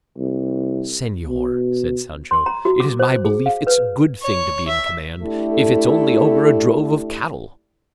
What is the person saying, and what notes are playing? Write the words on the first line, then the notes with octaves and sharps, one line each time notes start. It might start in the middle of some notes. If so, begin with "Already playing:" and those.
"Senor," said Sancho, "it is my belief it's a good thing to be in command, if it's only over a drove of cattle."
C2
B2
C6
A#5
F#4
D6
C5
G#4
F5
B4
C#5
E5
A3 D4 E4 G4 A4